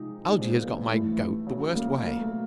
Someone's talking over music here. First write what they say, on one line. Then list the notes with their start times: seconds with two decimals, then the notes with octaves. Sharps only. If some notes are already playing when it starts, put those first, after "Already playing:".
Algie has got my goat the worst way.
Already playing: C3 F3 G#3 D#4
0.24 D#4
0.31 C3 F3 G#3 D4
0.40 C4
0.50 B3
0.60 A#3
0.89 A2 E3 G3 A3
1.47 C#3 F#3
1.75 A#3
2.05 B2 F#3 A#3
2.19 A3